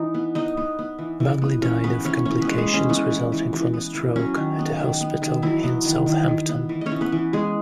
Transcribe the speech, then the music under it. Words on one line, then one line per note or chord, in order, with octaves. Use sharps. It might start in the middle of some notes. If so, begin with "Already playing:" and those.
Bagley died of complications resulting from a stroke at a hospital in Southampton.
Already playing: E3 D#4 D#5
B3
B3 D#4 D#5
B3
B3
E3
E3
B3
E3 C#4 C#5
E3 B3 B4
E3 C#4 C#5
E3 C#4 C#5
B3 B4
G#3
G#3 G#4
B3
C#4
E3 B3
E3
E3
E3
B3
E3
F#3 C#4
D#3
B3
D#3
B3
D#3
E3 F#3 E4
B3
D#3
D#3
D#3
B3
E3
C#4 C#5 D#5
E3
B3 B4
E3
G#3 B3 G#4